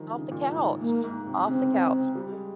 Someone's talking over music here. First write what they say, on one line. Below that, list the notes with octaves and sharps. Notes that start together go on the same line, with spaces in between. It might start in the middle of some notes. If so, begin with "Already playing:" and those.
Off the couch. Off the couch.
Already playing: D#3 F3 G3
C#3
A#2
G#2
G#2
G#2 A#3
G#2
C3
C#3 C4
G3
G#3